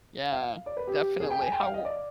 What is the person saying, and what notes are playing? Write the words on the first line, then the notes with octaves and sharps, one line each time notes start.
Yeah, definitely. How w
F5
D5
B4
G4
G#4
G5
G#5
G5
F5
D#5
D5